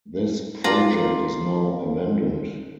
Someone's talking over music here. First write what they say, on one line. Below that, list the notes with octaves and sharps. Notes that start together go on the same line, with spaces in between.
This project is now abandoned.
F4 D5 A#5